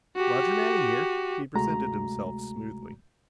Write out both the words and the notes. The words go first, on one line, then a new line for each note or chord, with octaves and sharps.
"Roger Manning here," he presented himself smoothly.
F#4 G4
D2 C3 G#3 A3 F#4 A#5